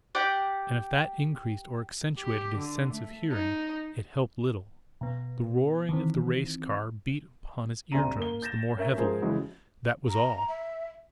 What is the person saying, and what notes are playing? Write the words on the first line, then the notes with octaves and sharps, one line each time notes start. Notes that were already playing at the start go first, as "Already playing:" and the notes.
And if that increased or accentuated his sense of hearing, it helped little--the roar of the racing car beat upon his eardrums the more heavily, that was all.
G4 D5 F#5
G4
D3
A3
D#4
B2 B3
D#3 E3 C4
D2 C3 D5 G#5 A#5 D#7
A#3 A#4 G7
G6 A6 A#6 E7
C#4 A#4 E5
F3 G#3 G#4 A#4 C5
F2 C#3 E3 F#3 G#3
A#5
E5